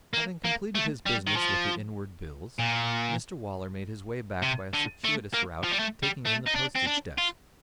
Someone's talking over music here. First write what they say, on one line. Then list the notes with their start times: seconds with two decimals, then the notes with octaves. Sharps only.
Having completed his business with the Inward Bills, Mr Waller made his way back by a circuitous route, taking in the Postage desk.
0.14 A#3
0.45 A#3
0.75 A3
1.06 G3
1.27 D#3
1.36 F3
2.59 A#2
4.43 C3
4.74 D3
5.04 A3
5.34 A#3
5.64 F3
5.72 G3
5.79 A3
6.03 G3
6.26 A3
6.48 D#4
6.56 D4
6.76 C4
6.87 D4
7.18 F4